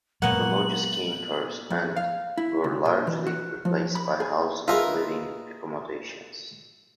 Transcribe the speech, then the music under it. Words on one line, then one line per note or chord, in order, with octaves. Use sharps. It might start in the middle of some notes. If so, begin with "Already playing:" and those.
The lodges came first and were largely replaced by houses with living accommodations.
A#2 F#3 G#3 A#3 B3 C#5 F#5 F#7
F2
F5
E4
C#2
A#2
E3
F#4
F3
B5
G#4
F4 G#4 A#4 B4 D#5 E5